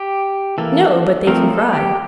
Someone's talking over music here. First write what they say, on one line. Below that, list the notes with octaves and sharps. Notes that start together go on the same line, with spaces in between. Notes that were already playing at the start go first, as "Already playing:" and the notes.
No, but they can cry.
Already playing: G4
E3 A#3 A4
F3 A3 C4 A#4
A4
G4